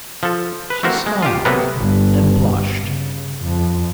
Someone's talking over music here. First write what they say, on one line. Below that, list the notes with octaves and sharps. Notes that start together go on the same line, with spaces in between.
She smiled and blushed.
F3 A4
B4
A3 A#3 C4 F#4 A#4 C5
G#3
F4 G4
C3 F#3 A#3 B3 A4 B4
G1
C#3
F2